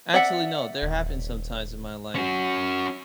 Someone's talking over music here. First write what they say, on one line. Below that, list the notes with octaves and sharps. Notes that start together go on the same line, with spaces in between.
actually, no, there have been some times in my life
D5 E5 F#5
D#1
C#4 F#4